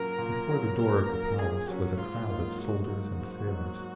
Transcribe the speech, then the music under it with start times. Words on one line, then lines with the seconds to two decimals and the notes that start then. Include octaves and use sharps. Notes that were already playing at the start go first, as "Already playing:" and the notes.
Before the door of the Palace was a crowd of soldiers and sailors.
Already playing: A#2 F#3 A#3 C#4 A#4
0.18 A#2
0.49 F#3 A#3 C#4
0.78 A#2 A#4
1.08 F#3 A#3 C#4
1.38 A#2 G#4
1.68 F#3 A#3 C#4 F#4
1.97 G#2 F4
2.28 F#3 A#3 D#4
2.57 G#2 F#4
2.88 F#3 A#3 D#4 F#4
3.18 G#2
3.47 F#3 A#3 D#4